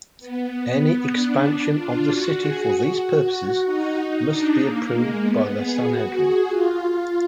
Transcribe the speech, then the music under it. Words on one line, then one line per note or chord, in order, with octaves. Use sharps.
Any expansion of the city for these purposes must be approved by the Sanhedrin.
B3
D4
D4
F4
F#4
G#4
F#4
F#4
D#4
D4
A#3
G#3
B3
G#4
F#4
G#4
F4